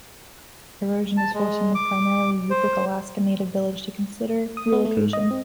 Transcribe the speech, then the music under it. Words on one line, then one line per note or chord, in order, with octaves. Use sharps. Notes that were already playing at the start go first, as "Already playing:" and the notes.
Erosion is forcing the primarily Yupik Alaska Native village to consider relocation.
A5
G#3
D6
C5
D#6
B3
A3
G#2
D#5
C4